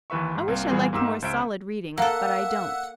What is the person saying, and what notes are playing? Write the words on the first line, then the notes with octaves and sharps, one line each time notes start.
I wish I liked more solid reading; but I don't.
D#2 E3 B4 E5 C#6
G#2
C2 A#3 C4
A#2 E3 G3 B3 G#4
G#2 A#3 D#4 G4 E6 E7
C#2 C5 E5 D7
A#3 A4 E5 F#5